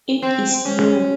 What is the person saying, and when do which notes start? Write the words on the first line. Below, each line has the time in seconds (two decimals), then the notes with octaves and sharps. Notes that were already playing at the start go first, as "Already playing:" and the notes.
It is slow.
0.22 C4
0.65 C#4